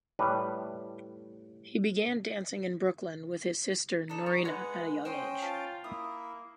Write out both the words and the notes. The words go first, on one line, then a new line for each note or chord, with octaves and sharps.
He began dancing in Brooklyn with his sister Norina at a young age.
A2 G3 B4
D4 D#4 A4
C#5
G#3 B4 C#5 D#5 F#5
C#4 C5 D#5 G5 C6
F4 A5
A#3 E4 E5 D#6